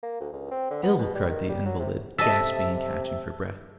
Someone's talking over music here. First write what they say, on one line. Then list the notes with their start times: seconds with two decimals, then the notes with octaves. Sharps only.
'Ill!' cried the invalid, gasping and catching for breath.
0.03 A#3
0.20 D2
0.32 C#2
0.51 C4
0.71 D3
0.83 B3
0.99 B2
1.15 G3
1.30 D#3
1.49 G3
1.66 F#3
1.79 C3
2.19 C3 A4 D#5 E5 A5